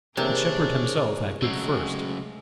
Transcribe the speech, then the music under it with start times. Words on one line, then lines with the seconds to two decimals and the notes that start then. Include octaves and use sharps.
But Shepard himself acted first.
0.17 C3 E3 A#3 D4 E4 G#4 A#4 C#5
1.42 C#3 F#3 G#3 A3 E6 C7 D7